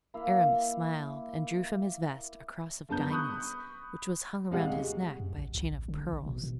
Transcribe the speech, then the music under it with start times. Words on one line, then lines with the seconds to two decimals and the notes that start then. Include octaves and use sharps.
Aramis smiled and drew from his vest a cross of diamonds, which was hung around his neck by a chain of pearls.
0.14 A#3 E4 F5
2.89 F#1 G2 B3 A5 A#5 G6
3.10 B5 C#6 D#6 F#6
4.51 D#1 C3 G3 G#3 F5 F#5
5.20 F#2
5.37 A1
5.55 C#2
5.72 A1
5.88 D3
6.13 A1
6.26 B2
6.44 B2